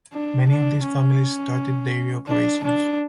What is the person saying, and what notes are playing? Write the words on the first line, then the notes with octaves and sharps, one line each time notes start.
Many of these families started dairy operations.
D4
D4
C#4
D4
D4